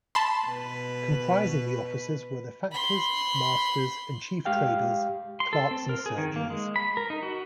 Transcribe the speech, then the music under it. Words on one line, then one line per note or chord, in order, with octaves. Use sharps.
Comprising the officers were the factors, masters and chief traders, clerks and surgeons.
A5 B5 C6
B2 B4
B5 C6
G#3 G4 F5 G5
C6
A4
C4
A#4
G#4
D#3
A#3
G#3
B5
A#4
D#4
F#4